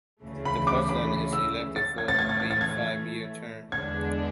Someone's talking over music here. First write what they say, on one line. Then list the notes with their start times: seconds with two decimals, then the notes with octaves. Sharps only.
The president is elected for a five-year term.
0.23 D2 C#3 E3 A3
0.45 B5
0.67 D6
0.89 B5
1.33 E6
1.76 A6
1.98 A2 E3 A3 G#6
2.08 A6
2.19 G#6
2.29 A6
2.40 G#6
2.51 A6
2.61 G#6
3.72 E2 D3 G#3 D4 G#6